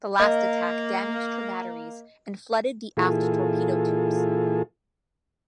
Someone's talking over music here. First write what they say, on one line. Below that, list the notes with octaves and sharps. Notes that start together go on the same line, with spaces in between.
The last attack damaged her batteries and flooded the aft torpedo tubes.
A#3 D#5
A#2 E3 F4 G#4 A4